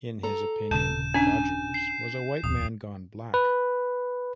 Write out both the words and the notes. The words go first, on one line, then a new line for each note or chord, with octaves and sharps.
In his opinion Rodgers was a "white man gone black".
A4 A#5
D#1 C#3 A5 G6 E7
C#4 D4 G#5
C7
D1 E2 D#6
B4